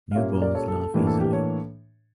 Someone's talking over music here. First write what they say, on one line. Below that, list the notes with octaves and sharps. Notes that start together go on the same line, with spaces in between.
Newborns laugh easily.
F5
A#2 G3 A#3 C#4 C#5 E5
A#4 D5
A4 C#5
A4
A4
A2 E3 A#3 D4 G4
A4
G4
A4 C#5